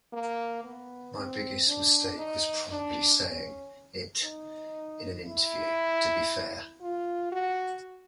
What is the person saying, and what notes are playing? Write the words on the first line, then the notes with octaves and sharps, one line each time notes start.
My biggest mistake was probably saying it in an interview, to be fair.
A#3
B3
C4
D4
D#4
D4
C#4
D#4
E4
F4
F#4